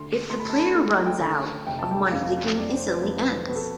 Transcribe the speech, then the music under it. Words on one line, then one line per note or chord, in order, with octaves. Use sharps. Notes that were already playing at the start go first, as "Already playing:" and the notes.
If the player runs out of money, the game instantly ends.
Already playing: D2 C6
A3 C6
B5
A5
B5
A3
G5
D2
F1 G5
A5
G5
F2 F5
F2 D5
C5
B4
F2
B4
B2 B4
A4